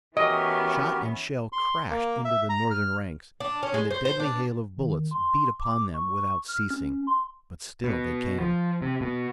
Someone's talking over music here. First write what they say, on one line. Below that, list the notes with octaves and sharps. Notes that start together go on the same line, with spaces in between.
Shot and shell crashed into the Northern ranks, and the deadly hail of bullets beat upon them without ceasing. But still they came.
E3 B3 C#4 F#4 G4 A#4 D#5
C6
A#3
E5
A#5
F6
D4
C#4
G#3
C5
C5
D4
D#3
C6
D6
C#6
F6
C#4
C6
B2
F3
C3
B2